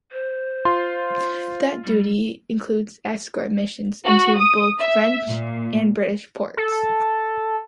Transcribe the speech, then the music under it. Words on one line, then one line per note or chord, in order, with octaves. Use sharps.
That duty included escort missions into both French and British ports.
C5
F4 C6
G3
F#4
D#6
E5
A#2
A4